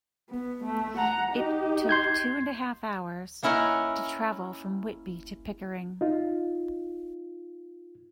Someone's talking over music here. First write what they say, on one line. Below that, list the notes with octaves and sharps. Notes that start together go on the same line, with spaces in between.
It took two and a half hours to travel from Whitby to Pickering.
B3
A3
F#5 A#5
D#4 G4
C6 G6 G#6
A#3 C#4 E4 A#4 D#5 F#5
D#4 F4